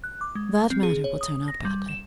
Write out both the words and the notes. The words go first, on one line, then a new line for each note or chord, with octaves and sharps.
That matter will turn out badly.
F#6
D6
G#3
C4
G#4
C#5
D#6
A#6
G3
E7